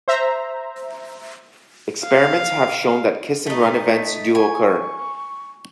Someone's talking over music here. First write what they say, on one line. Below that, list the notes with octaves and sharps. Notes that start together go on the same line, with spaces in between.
Experiments have shown that kiss-and-run events do occur.
C5 E5 A#5
F5
A3 D#4 B6
G#5 C#6